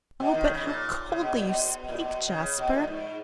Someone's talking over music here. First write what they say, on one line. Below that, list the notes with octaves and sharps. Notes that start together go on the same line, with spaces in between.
'Oh, but how coldly you speak, Jasper!'
B2
D#3
C#3
A#2
C#3
B2
A#2
B2
A#2
B2
C#3
B2
A#2
G#2